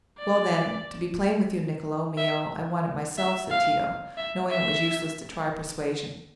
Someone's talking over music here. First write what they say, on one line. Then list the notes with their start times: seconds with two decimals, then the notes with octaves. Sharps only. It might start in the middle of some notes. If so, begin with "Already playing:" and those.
"Well, then, to be plain with you, Niccolo mio, I want it myself," said Tito, knowing it was useless to try persuasion.
0.18 D5
2.17 E5
3.18 E5
3.50 F5
4.17 E5
4.50 E5